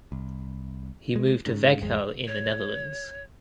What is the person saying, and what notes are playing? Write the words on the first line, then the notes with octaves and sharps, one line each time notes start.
He moved to Veghel in the Netherlands.
C2
G#3
G#2 C#3
G#1 F2 G#3
C#5